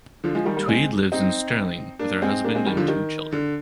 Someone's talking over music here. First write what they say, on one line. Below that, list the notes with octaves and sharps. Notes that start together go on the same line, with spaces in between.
Tweed lives in Stirling with her husband and two children.
D3 F3
F3 G#3
D#3 G3
G3 A#3
G#3 C4
C4 D#4
A#3 D4
G#3 C4
A#3 D4
G#3 C4
D#3 G3
D3 F3
D#3
D3